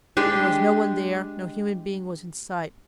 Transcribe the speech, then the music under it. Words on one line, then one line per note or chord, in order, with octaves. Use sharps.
There was no one there; no human being was in sight.
G#3 D4 G4